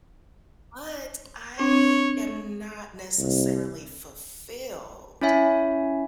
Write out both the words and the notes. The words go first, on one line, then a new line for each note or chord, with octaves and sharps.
but I am not necessarily fulfilled.
C4 D4 C#5
C2
C#4 E4 C#5 E5 G#5